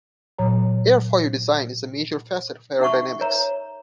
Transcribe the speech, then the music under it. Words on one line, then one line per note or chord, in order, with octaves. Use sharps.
Airfoil design is a major facet of aerodynamics.
A#2 F#3 C#5 A#5
D#4 E5 F#5 C#6
A#4 C#5 E5 A#5